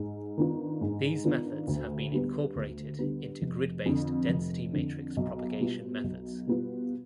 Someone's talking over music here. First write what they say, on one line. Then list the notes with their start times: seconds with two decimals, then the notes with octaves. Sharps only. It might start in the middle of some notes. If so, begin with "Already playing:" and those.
These methods have been incorporated into grid-based density matrix propagation methods.
Already playing: G#2
0.37 D#3 B3 D4 F4
0.81 G#2
1.24 D#3 B3 D4 F4
1.67 D2
2.12 D3 G3 B3
2.55 D2
2.99 D3 G3 B3
3.42 F1
3.86 F2 D3
4.29 F1
4.73 F2 D3
5.17 B1
5.60 B2 G3 B3 F4
6.04 B1
6.47 B2 G3 B3 F4